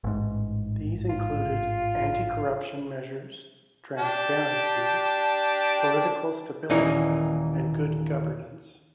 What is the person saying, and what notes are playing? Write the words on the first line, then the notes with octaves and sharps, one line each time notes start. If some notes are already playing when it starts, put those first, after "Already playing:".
These included anti-corruption measures, transparency, political stability and good governance.
A1 G#2
F4
D4 G4 A5
D#2 A#2 E3 A#3 C#4 D#4